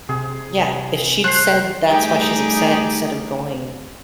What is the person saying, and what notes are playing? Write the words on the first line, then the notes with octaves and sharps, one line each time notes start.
Yeah, if she'd said that's why she's upset instead of going
C3 G#4
C5 A5 F#6 C7
G3 A3 D#4 G4 G#4